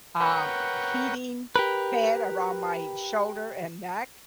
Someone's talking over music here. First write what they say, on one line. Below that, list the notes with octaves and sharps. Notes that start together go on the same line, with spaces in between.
um, heating pad around my shoulder and neck,
A#4 B4 C#5 F#5 G5
G4 A#4 B4